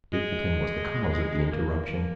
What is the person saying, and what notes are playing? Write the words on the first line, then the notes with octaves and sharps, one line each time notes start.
Stapleton was the cause of the interruption.
G#3
A#3